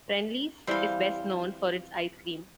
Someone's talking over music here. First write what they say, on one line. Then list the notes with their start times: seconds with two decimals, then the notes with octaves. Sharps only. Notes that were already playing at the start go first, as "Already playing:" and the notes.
Friendly's is best known for its ice cream.
0.67 E3 G3 C4 C5 F5